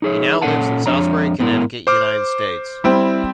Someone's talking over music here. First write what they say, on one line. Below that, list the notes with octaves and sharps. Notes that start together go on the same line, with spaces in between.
He now lives in Salisbury, Connecticut United States.
D#4 G#4 C#5
A#2 C#4 A4 B4 F#5 A5
F2 G#3 D4 C#5 A#5
G#2 B3 E4 A4 A#4
C5 D6 F6
G3 C4 E4